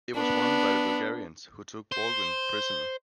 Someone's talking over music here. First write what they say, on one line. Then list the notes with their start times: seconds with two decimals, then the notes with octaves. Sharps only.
It was won by the Bulgarians, who took Baldwin prisoner.
0.15 B3 D4
1.92 C5